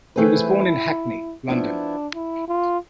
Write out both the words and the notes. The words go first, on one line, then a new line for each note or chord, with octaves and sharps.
He was born in Hackney, London.
E3 A3 C4 E4 G#4 B4
F3 B3 D4 E4
E4
F4